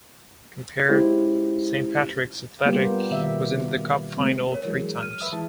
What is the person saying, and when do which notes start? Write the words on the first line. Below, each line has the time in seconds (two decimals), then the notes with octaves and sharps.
Compared, St Patrick's Athletic was in the cup final three times.
0.89 G#3 C#4 E4 F4 G4 C5
2.65 G3 A#3 B3 F4 G4
3.11 B2 D#3 E5
4.17 G#3 A3 C4
4.52 A#4 C#5
4.65 E3 F#3 G#3
4.98 F6 D#7
5.21 B4 E5 D#6
5.32 E3 G#3 A5